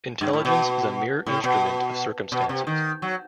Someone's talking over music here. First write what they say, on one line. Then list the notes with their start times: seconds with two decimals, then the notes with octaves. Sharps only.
Intelligence is a mere instrument of circumstances.
0.21 G2
0.33 A2
0.45 B2
1.26 A2
1.44 B2
2.32 B2
2.49 C3
2.67 D#3
3.02 F#3